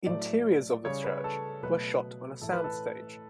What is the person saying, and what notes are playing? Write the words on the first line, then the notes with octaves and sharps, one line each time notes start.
Interiors of the church were shot on a soundstage.
A2 F#3 A3 D5
C#3 G3 C#5
B4
A4
B2 F#3 A3 B4
A2 E3 A3 A4
B4
A4